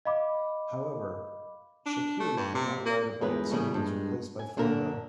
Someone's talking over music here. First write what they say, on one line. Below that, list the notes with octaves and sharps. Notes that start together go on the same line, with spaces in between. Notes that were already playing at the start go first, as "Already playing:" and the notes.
However Chakiris could not ride a bike so he was replaced by Fonda.
D#5 F5 B5 D6
D4
A3
G2
C3
A#3
E2 G2 G#3 F4 A#4 B4
C#3 E3 G3 A3 B3 C#4
G2 G#3
G#5
A#2 D3 C#4 A#4